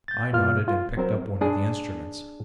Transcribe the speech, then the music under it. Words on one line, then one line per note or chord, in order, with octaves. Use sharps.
I nodded, and picked up one of the instruments.
G6 A6
E2 B2 A#3 F4 F6
F4
F#3 C4 A#4 C5
D4 G#4